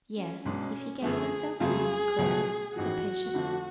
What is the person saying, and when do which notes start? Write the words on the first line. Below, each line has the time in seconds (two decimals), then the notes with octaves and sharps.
"Yes, if he gave himself leave, Clara," said Patience.
0.17 C#4
0.45 B1 B2 G#3 C#4 D4
1.02 F#2 D3 F3 A3 G#4
1.60 F2 C#3 F#3 A3 F4 G#4
2.18 C#2 B2 F#3 A3
2.76 A1 G#2 F3 F#4
3.34 F2 D3 F3 A3